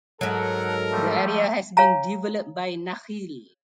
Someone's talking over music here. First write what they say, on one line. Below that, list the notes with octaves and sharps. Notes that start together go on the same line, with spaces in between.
The area has been developed by Nakheel.
G#2 F#3 A4 A#4 F#5
F3 G3 A3
C#5 F5 G#5 A#5